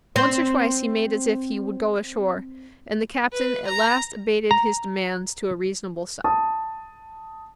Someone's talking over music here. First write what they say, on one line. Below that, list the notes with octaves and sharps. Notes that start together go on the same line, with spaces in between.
Once or twice he made as if he would go ashore, and the captain at last abated his demands to a reasonable sum.
C4 C5
B4
A#5
A#5
A5 D#6